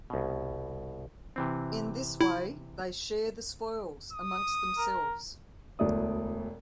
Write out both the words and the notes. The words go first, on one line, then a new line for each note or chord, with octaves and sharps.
In this way, they "share the spoils" among themselves.
C2 B2
C3 E3 C4
E4
D#6
A#4
E1 D2 D5 D#6